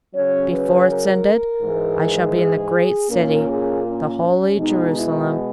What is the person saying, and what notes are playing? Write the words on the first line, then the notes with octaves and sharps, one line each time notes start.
Before it's ended I shall be in the Great City--the Holy Jerusalem.'
C#3 F#3 C#4 C#5
B4
A#4
G#2 E3 G#3
G#4
A#2 A#3 C#4 A#4
G#4
C#4
B2 G#3 B3 D#4
E4